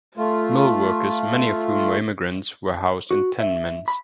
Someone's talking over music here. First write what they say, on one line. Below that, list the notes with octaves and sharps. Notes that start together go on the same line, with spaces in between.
Mill workers, many of whom were immigrants, were housed in tenements.
A3 F4
F#4
E5
B5